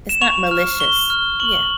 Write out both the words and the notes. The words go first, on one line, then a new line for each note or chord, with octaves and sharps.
It's not malicious, yeah.
E7
C#6 F7
F6
C#6 G7
F6
C#6 F#7